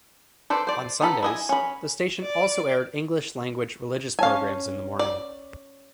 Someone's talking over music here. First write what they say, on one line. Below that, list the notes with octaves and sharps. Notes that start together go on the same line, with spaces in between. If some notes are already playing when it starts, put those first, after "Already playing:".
On Sundays, the station also aired English-language religious programs in the morning.
A4 B4 C5 D5
C5 D5
B3 D#4 A4 B5
E4 D#5 G#5
C#4 B5
D5
C#4 C#5 F5 G#5 A5
D5